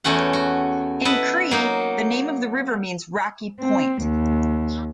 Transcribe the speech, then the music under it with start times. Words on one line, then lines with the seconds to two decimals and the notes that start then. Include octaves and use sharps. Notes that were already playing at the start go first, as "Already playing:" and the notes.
In Cree the name of the river means "rocky point".
0.04 E2 A3 C#4 F#4 F#5
0.33 F#4
1.05 E4 B4 D#5 F#5 A5
1.51 F#3 A#3 D#4
3.60 C4
4.02 D#2